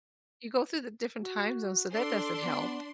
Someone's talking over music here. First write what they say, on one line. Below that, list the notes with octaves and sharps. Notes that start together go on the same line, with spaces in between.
You go through the different time zones, so that doesn't help.
F#4
D4 A4 C6
B3